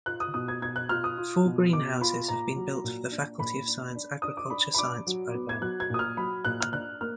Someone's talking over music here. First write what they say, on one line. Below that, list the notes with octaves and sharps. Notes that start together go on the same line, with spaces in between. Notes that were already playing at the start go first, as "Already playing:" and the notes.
Four greenhouses have been built for the Faculty of Science, Agriculture Science program.
F4 F#6
D#6
B2 D#6
G#6
B2 G#6
F#6
F4 F6
D#6
F4
B2
B2 D6
F4 B5
A#2 A#5
F#3
A#2
D4
A#2 B5
D4
D4
D4 D#6
D6
D4 B5
B5
D4 D6
F#3
B3
G#6
F#3 F#6
G#6
A#2 D#6
F6
F#3 B5
A#2 F#6
F6
D4 F#6
A#3 F6